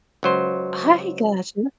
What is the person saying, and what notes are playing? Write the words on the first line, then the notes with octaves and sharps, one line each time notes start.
I got you.
C#2 F#3 C5